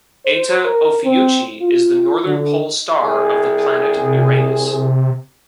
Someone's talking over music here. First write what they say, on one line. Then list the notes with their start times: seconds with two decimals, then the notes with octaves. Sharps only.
Eta Ophiuchi is the northern pole star of the planet Uranus.
0.25 C5
0.65 A#4
1.03 C4
1.62 F4
2.25 D3
3.00 C2 G#4
3.97 C3